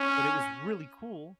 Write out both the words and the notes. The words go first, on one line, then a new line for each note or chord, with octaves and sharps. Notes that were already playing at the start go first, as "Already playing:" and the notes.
But it was really cool,
Already playing: C#4